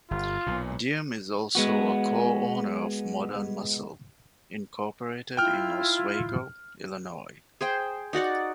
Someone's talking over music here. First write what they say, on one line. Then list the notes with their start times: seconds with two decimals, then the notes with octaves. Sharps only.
Diem is also a co-owner of Modern Muscle, Incorporated in Oswego, Illinois.
0.11 G1 F4
0.47 B1 A#2
1.55 G#3 B3 F#4
5.37 E4 F4 G5 F6
7.61 G#4 C5 G5
8.13 D#4 F#4 D5 F#5